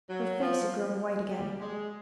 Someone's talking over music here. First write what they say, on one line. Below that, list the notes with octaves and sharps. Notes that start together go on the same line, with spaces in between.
Her face had grown white again.
F#3
F3
G3
G#3